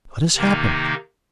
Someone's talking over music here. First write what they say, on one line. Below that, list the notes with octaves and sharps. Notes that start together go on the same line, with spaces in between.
What has happened?
C3 D#3 A#3 D#4